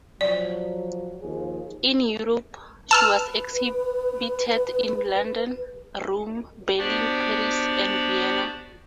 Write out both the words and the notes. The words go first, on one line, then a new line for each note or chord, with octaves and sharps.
In Europe, she has exhibited in London, Rome, Berlin, Paris and Vienna.
F3 F#3 D5
D#2 F3 G#4
B4 A5 E6 F6
B3 D4 F#4 G4 C5 D5